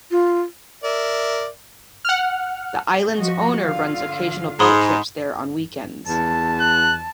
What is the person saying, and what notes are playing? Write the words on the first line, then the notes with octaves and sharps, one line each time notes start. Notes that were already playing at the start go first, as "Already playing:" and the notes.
The island's owner runs occasional boat trips there on weekends.
F4
A#4 D5 E5
F#5 F6
F3 F#4 D#5
D3 F4 F5
G#2 B5 C6 D#6
E2 A5
F#6